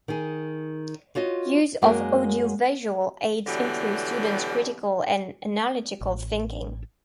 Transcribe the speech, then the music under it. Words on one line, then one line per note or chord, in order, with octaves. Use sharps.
Use of audio visual aids improves students' critical and analytical thinking.
D#3 G#4
F4 F#4 C#5 D#5
F#2 G#3 A#3 F#4 A#4
B2 D3 E3 F#3 G3
A1